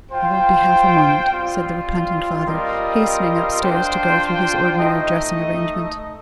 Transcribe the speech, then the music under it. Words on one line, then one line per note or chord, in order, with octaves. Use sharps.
"I won't be half a moment," said the repentant father, hastening up-stairs to go through his ordinary dressing arrangement.
F4 C5 G5
G3 C4 F4
G3 C4 F4 A#4 D#5
D4 F4 C5 G5
A3 D#4 A4 D#5